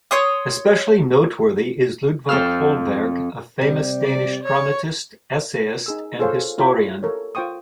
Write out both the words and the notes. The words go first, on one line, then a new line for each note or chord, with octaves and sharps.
Especially noteworthy is Ludvig Holberg - a famous Danish dramatist, essayist and historian.
C#5 C6 D#6
F2 A4 C5 E6 F6
C3 G3
D5
C#5
D#4 G#4 E6
F4 G#4 A4 C5 C#5 F5
E4 F4 G4 C#5 G5 B5
A4 A#4 C#5
F4 C5 G5 C#6 D#6